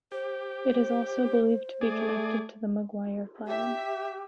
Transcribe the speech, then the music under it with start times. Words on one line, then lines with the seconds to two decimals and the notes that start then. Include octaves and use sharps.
It is also believed to be connected to the Maguire clan.
0.12 G4 C5
1.81 A3 G#4 D5
3.46 G4 E5